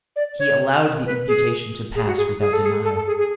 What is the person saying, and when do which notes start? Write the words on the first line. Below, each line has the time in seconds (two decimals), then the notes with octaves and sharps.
He allowed the imputation to pass without denial.
0.16 D5
0.39 C#5
1.06 B4
1.28 G#4
1.96 G#4
2.07 F#4
2.17 G#4
2.41 G#4
2.53 A4
2.66 G#4
2.85 A4
2.95 A4
3.07 G#4
3.19 G#4